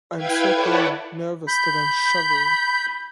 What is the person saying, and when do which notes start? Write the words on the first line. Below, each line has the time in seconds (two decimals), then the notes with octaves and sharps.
I'm so darn nervous that I'm shivering.
0.16 E4 B4 F5 G5 G#6
0.53 E4 A4 B4 C#5 D5 F#5
1.48 B5 G6